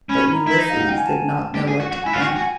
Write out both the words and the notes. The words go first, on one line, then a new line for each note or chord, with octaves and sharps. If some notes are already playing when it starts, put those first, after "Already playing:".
But Ulysses did not know what to think.
C#4 B5
A#5
E4
D#4
F5
F#5
G5
G#5
A5
G4
G#4
F#4
F#4
E4 G#5
F4 F#5
F#4
G5
F#4
G#5